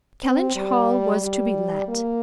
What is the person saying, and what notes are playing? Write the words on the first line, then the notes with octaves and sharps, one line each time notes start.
Kellynch Hall was to be let.
C4
G3
G3
A#3